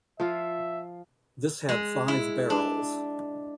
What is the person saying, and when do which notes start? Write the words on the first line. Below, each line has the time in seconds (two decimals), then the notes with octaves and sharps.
This had five barrels.
0.20 F3 F4 E5
1.69 G#3
2.08 E4
2.50 D4